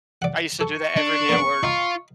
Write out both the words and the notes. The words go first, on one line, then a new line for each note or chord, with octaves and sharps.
I used to do that every day at work.
D5 F#5
A4 C#6
D4
A#3 B3
D#4 F4 F5